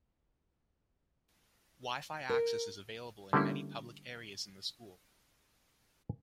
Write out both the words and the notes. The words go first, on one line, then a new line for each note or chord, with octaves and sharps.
Wi-fi access is available in many public areas in the school.
A#4
D3 G3 A3 A#3 C#4 E4